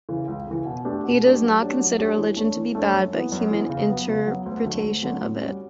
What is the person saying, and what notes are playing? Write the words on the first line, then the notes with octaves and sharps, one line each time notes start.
He does not consider religion to be bad, but human interpretation of it.
C#3 E3
C#2
C#3 E3
B2
A3 D4 G4 B4
B2
A3 D4 G4 B4
F#3
A3 D4 G4 C#5
F#3
A3 D4 G4 C#5
E3
A3 D4 A4 C#5
E3
A3 D4 A4 C#5
F#2
E3 B3
F#2
E3 B3
C#3
F#3 B3
C#3
F#3 B3
D2
D3 F#3 A3
D2
D3 F#3 A3
A2
G3 C#4 F#4